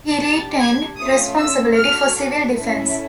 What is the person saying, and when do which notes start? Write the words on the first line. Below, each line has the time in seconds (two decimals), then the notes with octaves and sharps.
He retained responsibility for civil defence.
0.21 D4 G4 A6
0.60 G#6
0.99 A3 C#4 F4 D#6
1.38 E6
1.77 D4 F#4 A4 F6
2.55 C#4 E4 A4